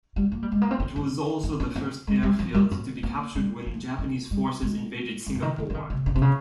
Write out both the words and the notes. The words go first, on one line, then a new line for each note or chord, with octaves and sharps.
It was also the first airfield to be captured when Japanese forces invaded Singapore.
G3
A#3
G3
G#3
A#3
C4
C#4
D#4
D#4
C#4
C4
G#3
G3
F3
G3
C#4
A#3
G3
F3
D#3
G3
G#3
G3
C#3
D#3
D#3
F3
D#3
C#3
C#3
C3
C#3